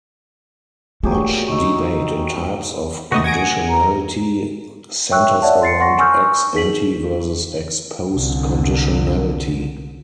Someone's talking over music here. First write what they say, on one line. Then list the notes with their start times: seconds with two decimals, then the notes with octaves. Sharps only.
Much debate in types of conditionality centers around ex-ante versus ex-post conditionality.
1.03 A#2 F#3 A3 G4 G#4
1.48 D#4 C#6 E6
3.12 C#3 A3 F#4 D#5 D#6
3.24 F#5 G#5 G#6 A#6 D7
3.69 A#5
5.11 C#5 E5 G5 C#6 E6 F#6
5.42 C#5 D5 E5 F#5 A5
5.62 C6 A6 C7 C#7
5.80 F#5 C6 C#6 A#6
5.99 G#5 C#6 E6 F6 G6
6.54 D#4 G#4 B6 F#7
8.15 C2 D3